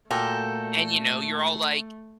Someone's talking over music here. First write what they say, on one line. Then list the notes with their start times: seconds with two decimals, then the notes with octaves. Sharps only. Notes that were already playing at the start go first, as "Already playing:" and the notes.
and, you know, you're all, like
0.11 A#2 A3 F#4 A4 A#4 G5